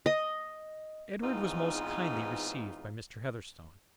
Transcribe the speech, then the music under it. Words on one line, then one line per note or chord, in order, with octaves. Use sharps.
Edward was most kindly received by Mr. Heatherstone.
D#5
E2 G#2 E3 C4 D#4 F4